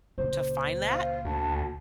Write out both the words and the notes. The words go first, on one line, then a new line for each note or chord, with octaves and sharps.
to find that.
C#2 A#2 C5
F5
D2 A5